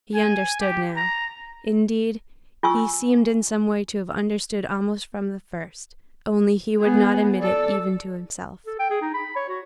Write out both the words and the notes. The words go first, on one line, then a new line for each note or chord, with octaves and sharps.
He understood now: indeed, he seemed in some way to have understood almost from the first, only he would not admit it even to himself.
G#5
G4
A#5
F4 G#5 C#6 E6
B3 G#4
A4 D5
A4
G5
G#4
D#4
B5
C#5
F#4